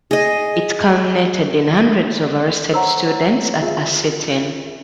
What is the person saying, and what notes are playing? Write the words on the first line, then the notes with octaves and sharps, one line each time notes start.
It culminated in hundreds of arrested students at a sit-in.
G#4 D#5
C5 C#5 F#5 A#5 E6
F4 G#4 E5